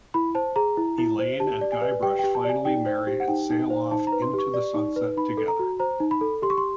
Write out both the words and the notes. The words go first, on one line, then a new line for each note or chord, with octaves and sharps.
Elaine and Guybrush finally marry and sail off into the sunset together.
E4 B5
C5 A5
G#4 A#5
E4
E4
C5
G4 A5
D5
G#5
B4
G4 G5
G4 G5
A5
D5 G#5
D#4 G5
C5
G4
F#5
D#4 G5
D#4
C5
D#4 A5
A#5
B4
C6
G4
C#6
D5
D#4
B4
D#4 B5
A4
A#5
F#4
C5 A#5
D#4
B5
A4
G4 C6
C#6
C6